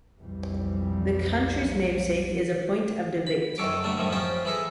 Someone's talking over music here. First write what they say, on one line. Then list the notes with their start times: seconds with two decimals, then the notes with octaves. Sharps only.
The county's namesake is a point of debate.
0.19 B1 F2 E3 G3
3.27 B5
3.58 F#2 D#3 A4 C#5 D6
3.83 D3 F#3 G3 A3 D4
3.98 F#2 A2 D#3 F3 G3
4.12 C#4 D#4 F4 G4 C5
4.45 E3 E4 G#4 A4 D#5